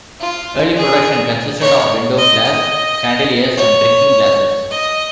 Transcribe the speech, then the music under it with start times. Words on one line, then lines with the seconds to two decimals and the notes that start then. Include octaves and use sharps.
Early production consisted of window glass, chandeliers and drinking glasses.
0.20 F4
0.76 G#4
1.61 C#5
2.17 D#5
2.45 D#5
3.57 C#5
4.70 D#5